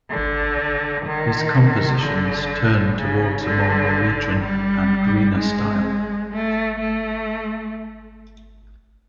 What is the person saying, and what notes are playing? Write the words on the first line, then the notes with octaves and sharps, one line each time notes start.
His compositions turned towards a more Norwegian and "greener" style.
D3
D#3
D3
C#3
D3
G3
G#3
A3
A3